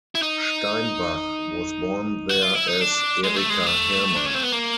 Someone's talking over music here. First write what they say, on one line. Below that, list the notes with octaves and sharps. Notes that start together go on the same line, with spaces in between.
Steinbach was born there as Erika Hermann.
E4
D#4
F#4
F4
E4
D#4
D4
G#3
A3
G#3
A3
D4
C#4
C4
B3
A#3